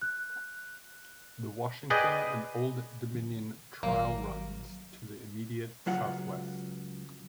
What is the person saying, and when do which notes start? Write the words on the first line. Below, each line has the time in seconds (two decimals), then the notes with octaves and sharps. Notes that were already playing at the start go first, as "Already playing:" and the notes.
The Washington and Old Dominion Trail runs to the immediate southwest.
0.02 F#6
1.90 G#4 B4 D5 D#5 G5
3.83 G#1 F#3 A#3
5.86 C#2 F#3 F4 F#5